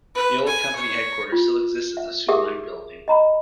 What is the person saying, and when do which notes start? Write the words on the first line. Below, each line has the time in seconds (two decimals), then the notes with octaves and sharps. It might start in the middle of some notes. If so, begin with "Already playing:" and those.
The old company headquarters still exist as the Soo Line Building.
0.15 B4
0.46 G#5
0.75 C#5
1.32 F4
1.97 E5
2.28 G4 G#4 A#4 E5 D6 D#6
3.08 D#5 A#5 B5